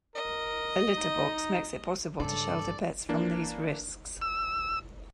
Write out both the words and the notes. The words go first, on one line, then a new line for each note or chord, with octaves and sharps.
A litter box makes it possible to shelter pets from these risks.
A#4 D#5
D#4
G2 C#3 D4 A4 D5
E3 A#3 D4
E6